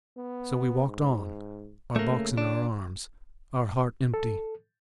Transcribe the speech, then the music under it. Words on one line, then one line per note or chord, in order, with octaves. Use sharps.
So we walked on, our box in our arms, our heart empty.
B3
G#2
C#3 A3 A#3
D4
A4